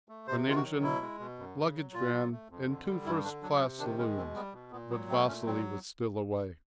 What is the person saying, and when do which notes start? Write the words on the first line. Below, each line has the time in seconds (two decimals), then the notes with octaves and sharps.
An engine, luggage-van, and two first-class saloons; but Vasily was still away.
0.09 A3
0.27 C3 C5
0.46 D#3 F4
0.56 F#4
0.64 F#3
0.82 B2 E4
1.02 G#3
1.20 B2
1.39 F#2
1.57 C#3
1.75 F#3
1.94 A#2 F4
2.13 F#3
2.31 A3
2.50 F2
2.69 D3
2.87 G3
3.05 G2 E4
3.24 D3 D4
3.43 F#3 D4
3.60 C3 C#4
3.79 D#3 D4
3.98 G#3 C#4
4.16 B2 C4
4.35 G3 B3
4.53 B2
4.71 A#2 B3
4.90 F#3 B3
5.09 A3 C4
5.28 A#2 C#4
5.46 F#3 C4